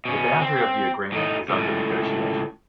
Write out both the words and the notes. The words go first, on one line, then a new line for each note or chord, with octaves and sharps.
The boundary of the agreement is under negotiation.
B2 C#4
C4
A2 D#4
C#2 A2